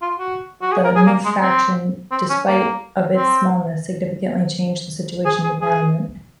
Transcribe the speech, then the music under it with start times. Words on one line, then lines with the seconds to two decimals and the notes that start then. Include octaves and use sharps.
The "New Faction", despite of its smallness, significantly changed the situation in the Parliament.
0.02 F4
0.19 F#4
0.62 F#4
0.72 G#4
0.84 A#4
0.95 G#4
1.07 A#3
1.25 G#3
1.42 C4
2.11 C4
2.30 C#4
2.47 A#3
3.16 C4
5.26 G#4
5.43 G#4
5.61 G#4